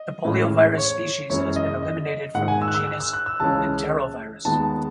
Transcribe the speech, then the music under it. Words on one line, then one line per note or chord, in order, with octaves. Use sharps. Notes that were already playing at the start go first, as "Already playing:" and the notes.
The Poliovirus species has been eliminated from the genus Enterovirus.
Already playing: D#5
A2 E3 G#3 C#4
C#5
F#2 E3 G#3 C#4 C#5
D#5
D#5
G#2 D#3 G#3 F#5
G#5
E6
F#6
E6
F#6
E6
F#6
E6
C#2 C#3 E3 G#3 C#4 A5
D#2 D#3 G#3 B3 A5